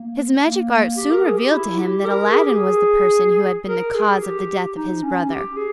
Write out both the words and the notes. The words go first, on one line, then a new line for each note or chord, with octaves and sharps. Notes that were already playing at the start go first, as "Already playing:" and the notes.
His magic art soon revealed to him that Aladdin was the person who had been the cause of the death of his brother.
Already playing: A#3
A#3
G4
A#4
G#4
G4
E4
G4
A#4
G#4
G4
G#4
A#4
G#4
G4
D#4
C#4
G4
G#4